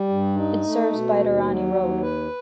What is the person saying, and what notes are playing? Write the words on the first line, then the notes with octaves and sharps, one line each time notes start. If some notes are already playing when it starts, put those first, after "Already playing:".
It serves Baitarani Road.
Already playing: G3
G2
D#4
A3
B2
D#2
F#3
D#2
B4